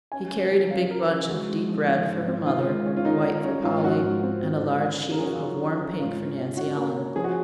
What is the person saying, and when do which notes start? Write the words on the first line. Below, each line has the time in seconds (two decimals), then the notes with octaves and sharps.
He carried a big bunch of deep red for her mother, white for Polly, and a large sheaf of warm pink for Nancy Ellen.
0.12 C#4 G#5
0.32 C#3
0.51 F#3
0.71 C#3 F5
0.90 C#3 A#4
1.10 C#3 G#4
1.29 G#3 F#4
1.49 G#3
1.69 F3
1.88 F3
2.08 G#2
2.27 C4
2.46 D#3 F4
2.66 G#3
2.86 C#4
2.96 F4
3.05 D#3 D#4
3.25 D#3
3.44 C#4
3.64 G#2 F4
3.84 F3 F#4
4.03 G#2 F4
4.23 C4
4.43 C4
4.62 G#2
4.82 C#4
5.01 C#3
5.12 A#4
5.18 C#4 G#4
5.26 F#4
5.32 F4
5.40 F#3 D#4
5.60 C#4
5.69 D#4
5.80 C#4
5.98 G#2 F4
6.19 C#4
6.38 C#4
6.57 C#4 F#4
6.76 A#3
6.96 C#4
7.16 F3 G#4
7.24 F#4